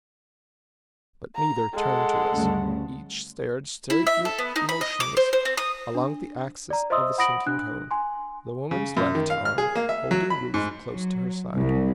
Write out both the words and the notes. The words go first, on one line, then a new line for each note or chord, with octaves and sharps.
But neither turned to us; each stared straightly, motionless along the axis of the sinking cone, the woman's left arm holding Ruth close to her side.
A#5
G#3 A4 F#5
D2 G2 C#3
E4
E5
A4
B3
D#4
B5
D#5
D6
C5
C5
C4
D#6
D4
D5 A#5
C5 D#5 E5 C6 D#6 E6
F#5 B5 D#6 A#6 D7 F#7
D4 F#6
G#5 C6
C#3
F#2
D#3
F5
F6
G#4
A#3
E5
F#3
B5
G#2
F#3
C2